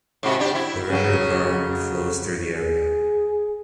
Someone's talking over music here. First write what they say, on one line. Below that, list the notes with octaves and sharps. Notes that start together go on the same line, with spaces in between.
The river Wurm flows through the area.
G#2 C3 F#4
D4 G4
E4
C#3 F#3
G#4